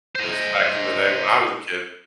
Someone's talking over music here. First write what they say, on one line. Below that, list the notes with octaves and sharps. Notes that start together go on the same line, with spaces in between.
'Cause back in the day when I was a kid,
C5 D#5